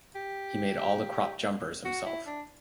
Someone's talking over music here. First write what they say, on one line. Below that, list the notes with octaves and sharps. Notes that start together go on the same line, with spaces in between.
He made all the cropped jumpers himself.
G4
F#4
E4
D4